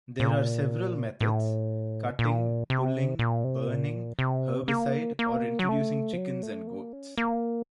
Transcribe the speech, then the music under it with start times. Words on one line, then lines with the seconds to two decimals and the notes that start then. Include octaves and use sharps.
There are several methods, cutting, pulling, burning, herbicide or introducing chickens and goats.
0.20 A#2
1.21 A2
2.19 A#2
2.70 C3
3.19 A#2
3.44 C3
3.68 A#2
4.19 C3
4.68 A#3
5.19 A#3
5.59 F#3
5.69 A3
6.13 F3
6.18 F#3
6.43 A3
6.67 A#3
6.93 C#4
7.17 A#3